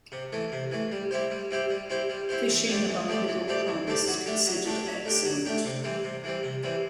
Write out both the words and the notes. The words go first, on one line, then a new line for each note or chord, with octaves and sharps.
Fishing along Middle Prong is considered excellent.
C3
E3 A3
C3
E3 A3
G3
C4 E4 G4 C5
G3
C4 E4 G4 C5
G3
C4 E4 G4 C5
G3
C4 E4 G4 C5
E3
A3 C4 G4 D5
E3
A3 C4 G4 D5
E3
A3 C4 G4 D5
E3
A3 C4 G4 D5
F#3
A3 D4 G4
F#3
A3 D4 G4
F#3
A3 D4 G4
F#3
A3 D4 G4
C3
E3 G3 C4
C3
E3 G3 C4
C3
E3 G3 C4